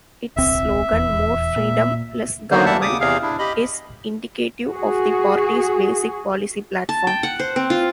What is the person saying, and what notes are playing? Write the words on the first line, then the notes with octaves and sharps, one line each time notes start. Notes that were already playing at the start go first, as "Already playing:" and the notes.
Its slogan, "More Freedom, Less Government", is indicative of the party's basic policy platform.
D1 B1 C4 E5
D#1 E2
A#2
D3 D#3 F#3 A#3 B3 C5
E2 G3 A#3 E5 F#5 A5
D#2 C#3 D6 D#6
E2 C3 G#4 F5
D4 E4
G4 D#5 B5
F#4 G#4
A5
G5
F#5
C5
C4
F4